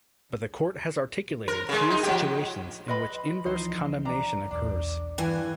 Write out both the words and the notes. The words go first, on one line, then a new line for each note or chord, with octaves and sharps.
But the court has articulated three situations in which inverse condemnation occurs.
A#4
C#3 G#3
D#4
F3 G4
B4 D#5 B5 C6
C#2 E3 F3 D#4 C5
D4 A#5
B1 E2 D4 D6
G2 E3 G5 G#5 E6 F#6